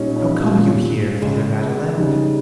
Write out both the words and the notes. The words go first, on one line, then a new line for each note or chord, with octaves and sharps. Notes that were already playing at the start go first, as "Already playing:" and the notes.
How come you here, Father Madeleine?
Already playing: A#2 G3 C#4 D#4
C#4
A#2 G3
C#3 G#3
C#3 G3 D#4